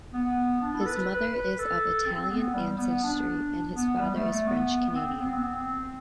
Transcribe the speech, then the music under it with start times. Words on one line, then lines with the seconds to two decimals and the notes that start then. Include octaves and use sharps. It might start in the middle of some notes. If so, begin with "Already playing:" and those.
His mother is of Italian ancestry and his father is French-Canadian.
0.14 B3
0.62 D4
0.74 E4
0.80 A4
0.86 B4
0.98 B4
1.10 B4
1.34 B4
1.58 A4
2.07 C4
2.31 B3
2.54 G3
2.78 B3
3.03 D4
3.75 B3
3.99 G3
4.15 A3
4.31 A3
4.47 B3
4.89 B3
4.96 C4
5.20 B3
5.26 C4
5.34 B3
5.44 C4